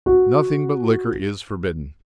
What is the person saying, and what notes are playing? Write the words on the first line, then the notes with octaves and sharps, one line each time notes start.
Nothing but liquor is forbidden.
F#4